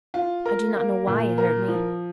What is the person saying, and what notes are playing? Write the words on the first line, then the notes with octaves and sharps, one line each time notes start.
I do not know why it hurt me.
F4
A#4
A#3
A#2
A#4
F3